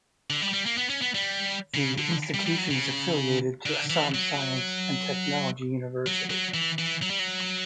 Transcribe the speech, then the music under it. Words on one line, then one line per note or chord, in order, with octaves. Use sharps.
The institution is affiliated to Assam Science and Technology University.
D3
G3
G3
A#3
B3
C#4
B3
G3
C#3
D3
G3
G3
F#3
C#3
D3
E3
F#3
F#3
F#3
E3
E3
F#3
G3
F#3